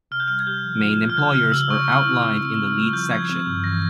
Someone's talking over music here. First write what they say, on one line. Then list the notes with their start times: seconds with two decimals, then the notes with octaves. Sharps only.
Main employers are outlined in the lead section.
0.11 C3 F6
0.20 G6
0.28 G3 F6
0.40 G#6
0.46 G4 G6
0.64 F3
0.82 F4
0.99 C3
1.10 F6
1.16 C#3 G6
1.35 C#3 F6
1.52 G4 E6
1.70 G4 C#6
1.87 E4 E6
2.05 E4
2.23 C4
2.41 C4
2.58 G3
2.76 F4
2.93 F3 G6
3.11 F3 G#6
3.29 C4
3.46 G2
3.64 E3 A#6